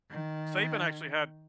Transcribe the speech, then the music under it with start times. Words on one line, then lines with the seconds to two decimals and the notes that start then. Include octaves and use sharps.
Saban actually had
0.11 D#3